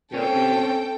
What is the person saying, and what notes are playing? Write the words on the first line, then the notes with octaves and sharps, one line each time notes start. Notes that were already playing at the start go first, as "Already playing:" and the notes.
Yeah, it'd be
C4 C#4 A4 G5